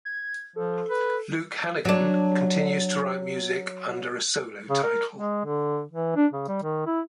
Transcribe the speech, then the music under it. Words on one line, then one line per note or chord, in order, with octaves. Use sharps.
Luke Hannigan continues to write music under a solo title.
G#6
F3 A4
B4
F#3 D4
C#3
A#4
G#3
D3
E3
D4
C#3
G3
D#3
E4